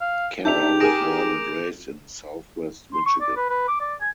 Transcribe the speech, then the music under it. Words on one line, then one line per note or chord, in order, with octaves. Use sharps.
Carra was born and raised in Southwest Michigan.
F5
D4 D#4 G4 E5 A5 G6 F7
G#4 A#4 G#5 D6 A#6 D7
C6
C#6
D5
B4
B4
D6
D5
G#5